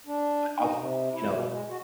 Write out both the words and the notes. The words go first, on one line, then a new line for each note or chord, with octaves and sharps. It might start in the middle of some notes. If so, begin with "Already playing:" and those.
but obviously, you know,
D4
D#4
C3
E4
B2
G#3
F#4